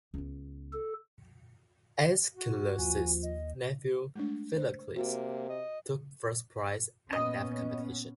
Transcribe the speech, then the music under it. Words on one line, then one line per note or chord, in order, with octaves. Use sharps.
Aeschylus's nephew Philocles took first prize at that competition.
C#2 B3
A4
F#4
D#2 F3 G#5
D#5
G#3 A3 D4
C5
C3 A#3 F#4
D#5
A#2 B3 C#4 D#5